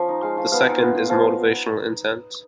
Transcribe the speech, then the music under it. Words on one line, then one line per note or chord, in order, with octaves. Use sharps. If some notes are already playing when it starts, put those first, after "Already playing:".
The second is "motivational" intent.
Already playing: F3 C#4 F4
D#4
G#3 F5
F4
B3 F5
D#4
B3
F4
F3 F5